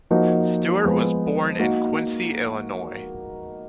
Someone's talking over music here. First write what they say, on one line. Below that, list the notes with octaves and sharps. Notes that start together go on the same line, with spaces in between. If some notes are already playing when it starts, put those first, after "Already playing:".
Stewart was born in Quincy, Illinois.
F3 A#3 D#4 F#4
F3 G#3 B3
A#3 D#4 F#4 A#4